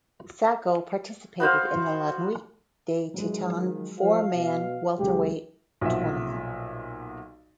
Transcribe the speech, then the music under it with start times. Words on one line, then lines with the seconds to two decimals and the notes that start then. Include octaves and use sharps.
Sacko participated in the La Nuit des Titans four man welterweight tournament.
1.40 B3 F#4 C5 F5
3.14 G#2 E3 F#3 G#3
3.55 D#3 F3
3.99 F3 F5
4.34 B2
4.99 C#2 F#3 G#3 G4
5.81 B1 A#2 F3 F#4 E5